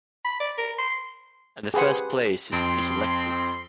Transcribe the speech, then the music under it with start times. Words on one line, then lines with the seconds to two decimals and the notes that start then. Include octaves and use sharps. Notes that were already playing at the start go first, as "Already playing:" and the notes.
And the first place is pre-selected.
0.25 B5
0.40 D5
0.58 A#4
0.78 C6
1.74 G4 G#4 B4 C5 F#5
2.53 F2 C4 C6